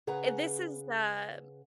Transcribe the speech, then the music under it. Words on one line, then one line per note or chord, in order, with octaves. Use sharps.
Eh, this is, um
C#3 G#4 B4 F#5 G#5 A#5